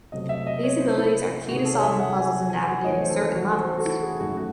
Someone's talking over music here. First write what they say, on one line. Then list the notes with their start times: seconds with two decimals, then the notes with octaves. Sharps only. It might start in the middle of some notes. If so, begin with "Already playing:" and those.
These abilities are key to solving puzzles and navigating certain levels.
0.12 C3 F#3 A3 D#5
0.29 E5
0.47 D#5
0.63 C#5
0.80 C5
0.97 E4
1.48 C3 D#3 G#3 F#4
1.57 G#4
1.65 A4
1.74 C#5
1.82 E5
1.99 F#5
2.16 G#5
2.50 G#5
2.67 F#5
2.84 E2 D#3 A3 D#5
2.92 C#5
3.01 C5
3.10 A4
3.35 F#4
3.52 A4
3.61 C5
3.69 A4
3.78 F#4
3.86 E4
4.03 G#4
4.20 F#2 D#3 F#3 A3 F#4
4.37 F#4